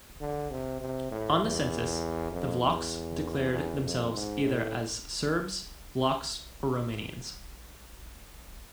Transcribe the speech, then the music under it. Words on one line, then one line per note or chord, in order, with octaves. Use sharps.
On the census, the Vlachs declared themselves either as Serbs, Vlachs or Romanians.
D3
C3
C3
A2
E2
F2
E2
E2
F2
G#2
A2